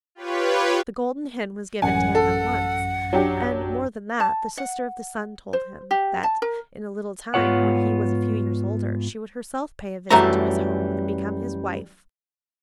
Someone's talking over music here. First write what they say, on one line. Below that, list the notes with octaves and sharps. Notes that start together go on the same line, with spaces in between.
The golden hen was given to him at once, and, more than that, the Sister of the Sun told him that, in a little time, when he was a few years older, she would herself pay a visit to his home and become his wife.
F4 G4 B4 C#5
A1 F#2 F#5 G#5
A4
F#3 D4 G4
A5
F#5
C5
G4
A5
A#4
G#2 B3 F4 G4 C#5 F#5
F#2 E3 G3 A3 E5 A#5